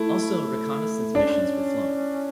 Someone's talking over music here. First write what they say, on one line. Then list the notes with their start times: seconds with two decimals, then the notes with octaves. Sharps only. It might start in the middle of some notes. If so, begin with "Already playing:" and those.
Also reconnaissance missions were flown.
Already playing: A3 E4
1.14 C#4 D4